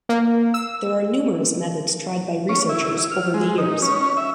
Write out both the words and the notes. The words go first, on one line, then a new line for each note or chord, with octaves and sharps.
There are numerous methods tried by researchers over the years.
A#3
E6
C#4
E4
E4
F6
G#3
D#4
C#4
E5